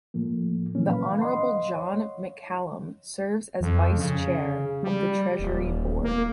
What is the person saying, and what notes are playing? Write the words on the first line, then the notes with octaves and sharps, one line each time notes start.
The Honourable John McCallum serves as Vice Chair of the Treasury Board.
A2 F3 A3 A#3
A#2 C#3 E3 F#3 A#3 C#4
B4 F5 B5
D#5 F5 F#5 C6
C#5
F2
C#3
G3
D#1
A#3